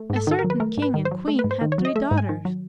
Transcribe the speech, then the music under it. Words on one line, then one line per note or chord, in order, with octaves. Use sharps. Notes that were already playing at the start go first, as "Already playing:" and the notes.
A certain king and queen had three daughters.
Already playing: A3
G#2
A4
D#3 A4
A#4
F#3
B4
A3 A#4
G#2 B4
D#3
C5
F#3
A3
B4
G#2
C5
D#3
C#5
F#3
D#5
A3 E5
G#2
G#5
D#3
F#3